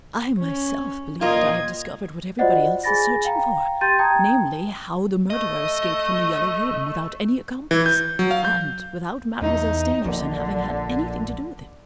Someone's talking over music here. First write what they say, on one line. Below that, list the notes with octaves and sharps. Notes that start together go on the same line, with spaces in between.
I myself believe that I have discovered what everybody else is searching for, namely, how the murderer escaped from The Yellow Room, without any accomplice, and without Mademoiselle Stangerson having had anything to do with it.
C#4
A#2 D#3 A#3 F4 D#5 G#6
F4 F#4 C5 D5 D#5 F#5
G#4 G#5 B5 A6 A#6
F5 G5 A#5
G4 G5 C6 G6 A6 D#7
G5 A5 A#5 D#6 G#6
A3 D#5
E3
G6
F#3
F5
G6
E2 D#4
A#1 D3